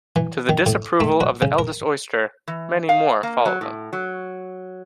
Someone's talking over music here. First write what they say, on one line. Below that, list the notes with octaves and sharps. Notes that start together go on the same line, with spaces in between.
To the disapproval of the eldest oyster, many more follow them.
E3
D#3
A2
A3
F#4
C#3
A#4
E3
F5
A#3
F#3
A2
F#3